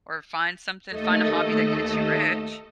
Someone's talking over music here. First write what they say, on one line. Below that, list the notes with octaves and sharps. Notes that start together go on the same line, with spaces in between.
or find something find a hobby that gets you rich.
D#2 A3 A4 D#5